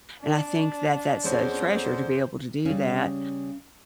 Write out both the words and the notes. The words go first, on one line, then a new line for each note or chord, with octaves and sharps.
and I think that that's a treasure to be able to do that.
D4 D5
F2 B3 C#4 G#4 C5
C#3 G3 C#4